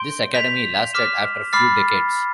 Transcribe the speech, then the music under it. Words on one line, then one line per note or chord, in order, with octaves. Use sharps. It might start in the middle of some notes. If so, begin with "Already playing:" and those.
This academy lasted after few decades.
Already playing: C6 G6 D7 G7
G6 B6 F7
D6 F6 B6 E7 G7
B5 D6 F6 A6 C7